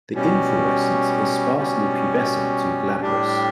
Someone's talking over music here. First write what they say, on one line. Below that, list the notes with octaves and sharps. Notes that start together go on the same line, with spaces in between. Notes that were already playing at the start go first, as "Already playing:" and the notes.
The inflorescence is sparsely pubescent to glabrous.
B2 G3 C#4
B2 G3 C#4
A2 G3 D4 G4